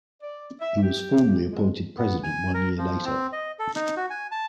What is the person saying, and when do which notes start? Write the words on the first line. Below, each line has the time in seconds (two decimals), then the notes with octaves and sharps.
He was formally appointed president one year later.
0.21 D5
0.60 E5
0.82 G4
1.50 G#3
1.98 B3
2.23 G#5
2.54 A#4
2.78 F3
3.05 C4
3.32 D#5
3.59 A4
3.75 D#4
3.97 F#4
4.10 G#5
4.31 A5